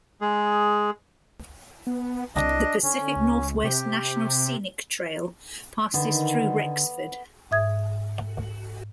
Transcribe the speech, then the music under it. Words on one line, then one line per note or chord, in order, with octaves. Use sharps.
The Pacific Northwest National Scenic Trail passes through Rexford.
G#3 G#4
B3
C2 D4 D#5
D3 C#4
C#2
C3 G4
D3 D#3 B3
G#2 E5 D#6 G#6